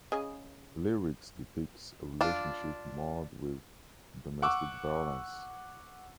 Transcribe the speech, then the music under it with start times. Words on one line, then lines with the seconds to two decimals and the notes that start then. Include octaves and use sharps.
The lyrics depicts a relationship marred with domestic violence.
0.12 C#3 G#4 D#5
2.21 D4 F4
4.42 F#5 C#6 D6 E6